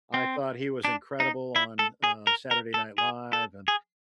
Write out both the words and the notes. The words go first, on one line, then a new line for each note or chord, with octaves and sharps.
I thought he was incredible on, uh, Saturday Night Live, and
C4
D4
D#4
E4
A4
G#4
A#4
A#4
A4
G#4
A4
G#4